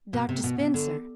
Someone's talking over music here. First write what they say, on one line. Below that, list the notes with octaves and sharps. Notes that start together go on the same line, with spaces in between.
"Dr. Spencer."
B2
C3
B2
C3
D3